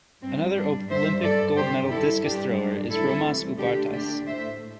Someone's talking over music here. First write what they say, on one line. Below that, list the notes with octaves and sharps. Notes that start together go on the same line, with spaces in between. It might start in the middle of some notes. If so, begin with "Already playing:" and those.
Another Olympic gold-medal discus thrower is Romas Ubartas.
G2 G3 C4
D4
G2 G3 C5 E5
A4 D5
G2 D3 G3 G4 C5
E4 A4
G2 G3 D4 G4
D4
D2 C3 E3 G3 E4 A4
D2 D3 A3 D4 G4
D4 G4
A2 A3 C5 E5